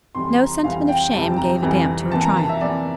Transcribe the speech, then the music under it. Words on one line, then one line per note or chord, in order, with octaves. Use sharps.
No sentiment of shame gave a damp to her triumph.
F2 C3 E3 G3 C6
A#5
F2 C3 E3 G3 F5
G5
F2 C3 E3 G3 A5
A#5
F2 C3 E3 G3
C3 E3 A#3 A5
A#5
A5
E5
C3 E3 A#3 D5